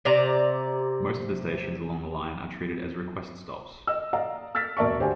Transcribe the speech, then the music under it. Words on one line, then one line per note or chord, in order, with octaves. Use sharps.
Most of the stations along the line are treated as request stops.
C3 D5 A#5
D#5 E6
D5 D#5 F5 A#5
E6 F6 A6 B6
E1 A#4 D5 E5 A5 C#6
D2 G4 C5 D5 G#5